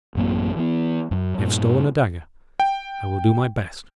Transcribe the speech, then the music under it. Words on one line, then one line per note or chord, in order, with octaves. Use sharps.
I have stolen a dagger--I will do my best!
A1 F#2 A#3 C4
E3 B3
F#2 F#3
G2 A#2
G5